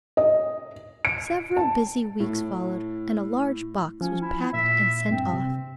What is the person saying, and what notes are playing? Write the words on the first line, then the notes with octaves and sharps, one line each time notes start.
Several busy weeks followed, and a large box was packed and sent off.
D#5
D7
A5
A2
F3 C#4
E4
A#2 E5
G2 C4
C3